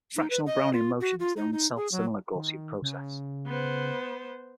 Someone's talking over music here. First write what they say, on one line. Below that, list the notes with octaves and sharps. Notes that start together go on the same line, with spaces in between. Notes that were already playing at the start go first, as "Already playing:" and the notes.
Fractional Brownian motion is the only self-similar Gaussian process.
D#4
B4
D#5
F4
F#4
F4
D#4
D#4
G#4
F#3
D#3
C#3
B3 C5